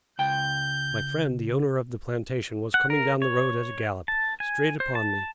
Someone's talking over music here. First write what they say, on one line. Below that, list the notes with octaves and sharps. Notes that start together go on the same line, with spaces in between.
My friend the owner of the plantation was coming down the road at a gallop, straight upon me.
C#2 G5 G6
F#5
A#4
C#5
A5
G#5
C5
A5